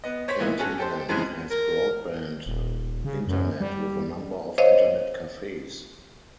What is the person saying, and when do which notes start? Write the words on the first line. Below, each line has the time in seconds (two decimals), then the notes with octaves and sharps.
Cantilan has broadband internet with a number of internet cafes.
0.04 B3 D#5
0.28 C5 C#5 B6
0.39 A#2 E3 A#3 B3 D#4 E4
0.59 C#4 F#4 G#4 A4
0.78 G4 A4 C5
1.09 F2 C#3 E3 G#3 B3
1.51 A#4
2.46 D#1
3.05 C#3
3.27 F#2
3.60 G3
4.58 C5 C#5 D#5 F5